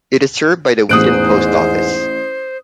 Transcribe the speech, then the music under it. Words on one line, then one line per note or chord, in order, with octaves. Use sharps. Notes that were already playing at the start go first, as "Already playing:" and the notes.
It is served by the Wheaton Post Office.
A1 E2 G#2 C5 D#6 F#6 D7